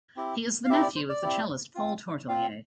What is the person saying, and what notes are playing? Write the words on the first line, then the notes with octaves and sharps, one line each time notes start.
He is the nephew of the cellist Paul Tortelier.
C4 E4 G4
F5
C4 E4 G4 E5
D5
C5
D5
C4 E4 G4
C4 F4
C4 F4 F5